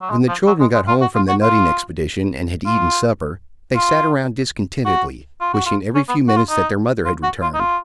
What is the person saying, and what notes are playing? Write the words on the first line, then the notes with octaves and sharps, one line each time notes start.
When the children got home from the nutting expedition and had eaten supper, they sat around discontentedly, wishing every few minutes that their mother had returned.
F#3
G#3
F3
F#3
G#3
G#3
F4
F#4
F4
F#4
F4
F4
F4
F#4
F4
F#4
F4
C#4
B3
F#4
F4
D#4
F4
F#4
F4
D#4
F4